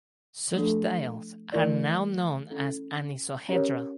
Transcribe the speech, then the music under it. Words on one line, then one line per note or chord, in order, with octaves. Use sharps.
Such tiles are now known as anisohedral.
F3 A3 D4 A4
E3 A3 E4 A#4 D5
C#4 E4 A4
C#4 G4 A#4 C#5